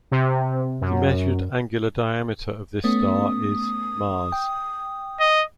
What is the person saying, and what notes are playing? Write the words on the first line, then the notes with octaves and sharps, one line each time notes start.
The measured angular diameter of this star is mas.
C3
F#2
A3 B3 C#4 D#6
G5
D#5